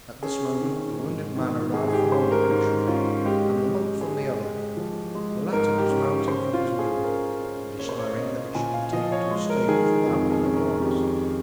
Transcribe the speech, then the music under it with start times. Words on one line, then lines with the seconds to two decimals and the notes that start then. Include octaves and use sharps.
At this moment the wounded man arrived from one direction and the monk from the other, the latter dismounting from his mule and desiring that it should be taken to the stables without being unharnessed.
0.23 C#4 G#4
0.61 D#3
0.98 G#2
1.36 D#3
1.74 G#2 G#4
1.88 G#4
1.93 G4
2.12 C#4 C5
2.32 A#4
2.49 G#2 A#4
2.87 C#4 F4
3.25 G#3 G4
3.63 C#4
4.01 G#3 G#4
4.39 G#3
4.77 F3
5.15 G#3
5.52 G#2 A#4
5.78 G4
5.90 C#4
6.28 C#4 C5
6.53 F4
6.65 C#4
6.79 G#4
7.04 C#4 A#4
7.42 C#4
7.79 A#3 C#5
7.89 C5
7.99 C#5
8.17 C#4 D#5
8.55 A#2 G#5
8.74 F5
8.93 F3 D#5
9.12 C#5
9.31 G#3
9.50 A#4
9.68 D#3 G#4
10.06 F2 G#4
10.32 G#4
10.45 C#4
10.56 A#4
10.81 F2 G4